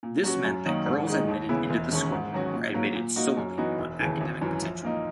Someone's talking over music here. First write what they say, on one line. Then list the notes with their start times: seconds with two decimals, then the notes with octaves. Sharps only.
This meant that girls admitted into the school were admitted solely on academic potential.
0.03 A#2
0.24 F#3 C#4 F#4
0.44 F#2
0.66 D#3 F#3 A#3 D#4
0.86 G#2
1.07 D#3 G#3 D#4
1.28 D#2
1.49 C#3 E3 B3 E4
1.70 E1
1.91 D#2 D#3 G#3 C#4
2.12 G#2
2.33 D#3 F#3 C#4 F#4
2.53 A#2
2.74 F#3 A#3
2.95 A#2
3.16 A#3 D#4 F#4
3.37 F#2
3.58 E3 B3 D#4 F#4
3.79 E1
3.99 D#2 C#3 E3
4.21 G#1
4.41 F#2 E3
4.63 A#1
4.83 A#2 A#3 D#4